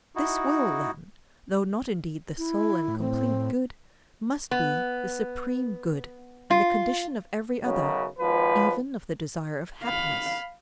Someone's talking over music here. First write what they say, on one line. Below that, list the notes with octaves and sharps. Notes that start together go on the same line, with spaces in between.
This will then, though not indeed the sole and complete good, must be the supreme good and the condition of every other, even of the desire of happiness.
D#4 E4 F#4
E4
A2
C4
B3
F4
B1 F#2 C#3
G#1 F3 B4
F5 B5